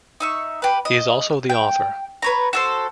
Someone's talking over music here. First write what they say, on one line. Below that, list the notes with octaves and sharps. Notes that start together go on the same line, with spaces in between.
He is also the author.
D#4 E5 C#6
G4 B4
D#5
G5
B4 C#5 A#5
F#4 A4 C5